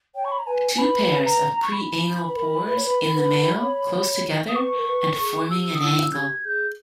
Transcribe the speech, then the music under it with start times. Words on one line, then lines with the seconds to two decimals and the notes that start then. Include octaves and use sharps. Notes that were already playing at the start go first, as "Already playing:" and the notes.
Two pairs of preanal pores in the male, close together, and forming an angle.
0.15 C#5 G5
0.24 C#6
0.31 B5
0.38 A#5
0.46 B4 G#5
0.78 B4 B5
1.25 A#5
1.62 C#6
1.72 B5
2.28 B4
2.35 A#4
2.67 B4
2.76 C#5
2.85 B4
3.02 A#4
3.14 B4
3.61 C#5
4.48 D#6
4.55 B4 C#6
4.77 A#4
4.87 B4
5.13 A#4
5.18 G#4
5.50 G4 E6
5.75 D#6
5.81 E4 E6
6.13 G4 G#6
6.44 G#4 G6